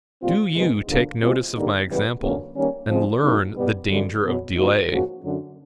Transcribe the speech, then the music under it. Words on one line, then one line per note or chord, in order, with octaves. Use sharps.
Do you take notice of my example, and learn the danger of delay.
A#2 G3 C4 F4
E2 C3 D#3 G#3 B3
G2 D3 F3 A#3
B2 G#3 C4 F4
G2 D3 G3 A#3 D#4
F#2 C#3 E3 G3 B3
F2 D3 F#3 A#3 C#4
D#3 G3 A#3 C#4
C#3 F3 G#3 C4
F#2 C#3 F#3 A#3 D#4
B2 G3 B3
F#2 D3 G3
E2 B2 F#3
C#3 F3 A#3 D#4 F#4
G#2 F3 A#3 C#4 F#4
F#2 D3 F#3